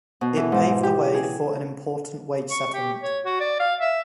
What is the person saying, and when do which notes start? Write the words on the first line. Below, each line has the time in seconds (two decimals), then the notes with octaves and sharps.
It paved the way for an important wage settlement.
0.21 B2
0.37 E3
0.52 G#2
0.83 G4
1.14 G#4
2.51 C#6
2.74 G4
3.03 C#5
3.25 F#4
3.40 D5
3.60 F5
3.80 E5